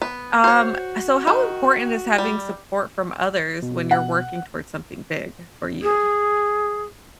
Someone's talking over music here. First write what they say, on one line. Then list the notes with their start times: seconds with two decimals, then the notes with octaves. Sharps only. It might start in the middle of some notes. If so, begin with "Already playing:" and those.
Um, so how important is having support from others, when you're working towards something big, for you?
0.02 B3
0.44 F#4 C5 C#5
1.27 D#3
2.18 G3
3.63 B2
3.91 F#5
5.82 G#4